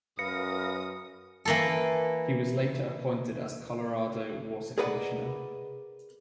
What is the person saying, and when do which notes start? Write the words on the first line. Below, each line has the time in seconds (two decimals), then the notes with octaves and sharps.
He later was appointed as Colorado Water Commissioner.
0.19 F#2 B4 F5 D#6 A#6 C#7
1.45 E3 A#3 A4
4.78 G#4 A#4 B4 D5 D#5 F#5